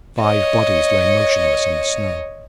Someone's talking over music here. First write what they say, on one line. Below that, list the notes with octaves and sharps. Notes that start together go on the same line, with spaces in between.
Five bodies lay motionless in the snow.
C#5 D#5